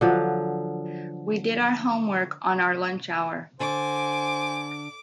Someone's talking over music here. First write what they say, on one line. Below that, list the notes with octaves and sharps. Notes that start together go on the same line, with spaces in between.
We did our homework on our lunch hour.
D3 F3 F#3
D3 C5 G#5 D6